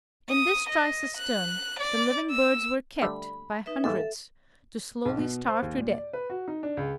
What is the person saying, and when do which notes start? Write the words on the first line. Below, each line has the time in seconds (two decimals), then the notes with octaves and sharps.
In this dry cistern the living birds were kept by hundreds to slowly starve to death.
0.29 D#6
0.69 D#5
1.17 F#6
1.79 D5
2.31 E6
3.02 D3 G3 A3 B5
3.66 D#4 B4 E5
3.84 D#2 G#2 E3 A4 E5
5.05 B1
5.18 B2
5.48 C5
5.62 D#2
5.77 A#2
5.93 D5
6.13 B4
6.30 F#4
6.48 D#4
6.63 D4
6.77 C#2